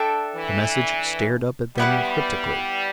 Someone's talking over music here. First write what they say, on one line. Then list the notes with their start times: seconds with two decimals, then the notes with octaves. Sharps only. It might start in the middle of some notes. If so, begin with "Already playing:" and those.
The message stared up at them cryptically.
Already playing: D4 A4 E5 G5
0.36 E3
1.77 G3 B3 E4 B4 F#5